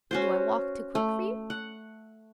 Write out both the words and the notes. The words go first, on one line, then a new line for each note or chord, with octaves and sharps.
'Do I walk too quick for you?'
C#4 F#4 C5
A3
F#5